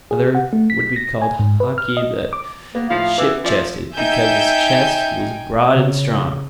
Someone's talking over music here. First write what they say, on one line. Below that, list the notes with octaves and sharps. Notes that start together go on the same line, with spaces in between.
The other would be called Haki the Ship-chested because his chest was broad and strong.
G#4
F#5
A3
B6
A#6
G#5
G#2
B4
F6
D#5
D6
A#3 B3
A2 F3 F5
E3 B3 C#4 D6
F3 C5 D5 E5
D#4 E5 G5 G#5 G6
C#3